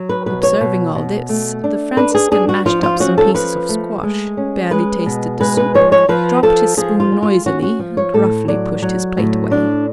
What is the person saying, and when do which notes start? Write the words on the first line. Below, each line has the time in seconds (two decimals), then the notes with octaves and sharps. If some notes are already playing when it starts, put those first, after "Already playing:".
Observing all this, the Franciscan mashed up some pieces of squash, barely tasted the soup, dropped his spoon noisily, and roughly pushed his plate away.
Already playing: F#3
0.09 B4
0.26 B2 B4
0.43 C#5
0.61 B2
0.95 B2
1.29 A3
1.64 D4
1.97 D4 B4
2.15 G#4
2.31 D4 G#4
2.49 F#4
2.66 F3 F4
2.83 F4
3.00 C#4 F#4
3.18 A4
3.34 F3 B4
3.69 A3
4.03 G#3
4.37 C#4
4.71 G#3 B4
5.06 B2
5.40 G#3 B4
5.57 B4
5.74 F3 C#5
5.92 C#5
6.09 F3 B4
6.43 F3 A4
6.77 F3 G#4
7.00 F4
7.12 G#3
7.22 F4
7.46 C#4 F#4
7.62 F#4
7.79 F3
7.97 C#5
8.14 A2 A4
8.48 F#3 D5
8.82 F#3
9.17 A2
9.51 D4